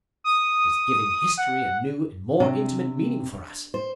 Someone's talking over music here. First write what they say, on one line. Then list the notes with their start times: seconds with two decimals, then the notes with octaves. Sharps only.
It is giving history a new and more intimate meaning for us.
0.24 D#6
1.37 F#5
2.40 C3 D4
3.74 C5